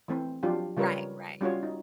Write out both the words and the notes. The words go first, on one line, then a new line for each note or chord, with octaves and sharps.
Right, right.
E3 A3 C4
F3 F#3 D4 F4 G4
C#3 G3 F4 A#4 B4 C#5
G3 C#4 F4 F#4 C#5
D#4